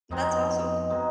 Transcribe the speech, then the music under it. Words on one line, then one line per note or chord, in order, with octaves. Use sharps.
That's awesome.
F2 B2 G#3 C4 D#4
B2 G#3 C4 D#4